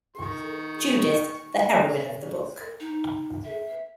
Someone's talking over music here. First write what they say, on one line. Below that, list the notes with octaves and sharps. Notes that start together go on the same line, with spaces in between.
Judith, the heroine of the book.
D#3 C#6
D#4
E5